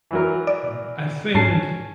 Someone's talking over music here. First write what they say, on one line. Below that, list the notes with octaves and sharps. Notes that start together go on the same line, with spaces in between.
Hmm, I think
E3 F#3 A#4
D5
G#2 C#4 A5 C7